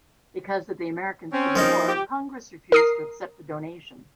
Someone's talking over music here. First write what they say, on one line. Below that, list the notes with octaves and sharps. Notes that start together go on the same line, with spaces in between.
Because of the American Civil War, Congress refused to accept the donation.
C4 C#4
F3 A#3 D#4
G4
A#4 D#6 C7